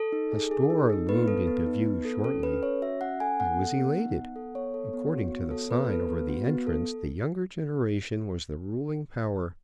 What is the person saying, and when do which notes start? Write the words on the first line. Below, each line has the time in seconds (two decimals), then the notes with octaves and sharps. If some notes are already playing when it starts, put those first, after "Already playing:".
A store loomed into view shortly; I was elated. According to the sign over the entrance, the younger generation was the ruling power.
Already playing: A4
0.12 D#4
0.32 G#4
0.51 G#4
0.70 D#4
0.90 D#4
1.09 B3 B4
1.28 A4
1.47 B3
1.66 D#4
1.86 B3
2.05 A4
2.24 C#4 A4
2.43 A4 B4
2.63 C#4 C#5
2.82 F#4 E5
3.01 C#4 F#5
3.20 A4 G#5
3.40 B3 F#5
3.59 A4
3.78 B3
3.97 D#4
4.17 B3
4.36 A4
4.55 B3 C#5
4.74 A4
4.93 B3
5.13 F#4
5.32 B3
5.51 A4
5.70 B3 B4
5.90 A4
6.09 B3
6.28 F#4
6.47 B3
6.67 A4